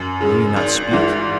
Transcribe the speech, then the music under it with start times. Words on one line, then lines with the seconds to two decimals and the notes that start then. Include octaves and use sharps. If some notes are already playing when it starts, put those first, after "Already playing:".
Will you not speak?
Already playing: F#2
0.21 C#3 G#3
0.56 G#1
0.91 G#2 E3